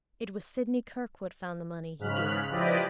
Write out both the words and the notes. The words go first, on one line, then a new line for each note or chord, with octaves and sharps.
It was Sidney Kirkwood found the money--he did!
G#2 C#3 F6 F#6 B6
F3 E4 G4 B4 D5 D#5